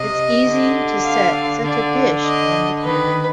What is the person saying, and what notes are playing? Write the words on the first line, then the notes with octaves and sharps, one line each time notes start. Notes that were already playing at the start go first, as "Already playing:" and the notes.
It is easy to set such a dish on the table.
Already playing: C3 D#5
D3
F5
D3 D5
D#5
D#3 B4